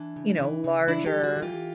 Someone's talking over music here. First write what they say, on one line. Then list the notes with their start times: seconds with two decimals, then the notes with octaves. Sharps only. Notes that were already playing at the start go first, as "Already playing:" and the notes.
you know, larger,
Already playing: E3 D4
0.16 C#3
0.40 E3
0.64 C#3
0.88 E3 D4 E4
1.06 G4 A4
1.12 G3
1.24 F#4 G#4
1.36 E3
1.42 F4 G4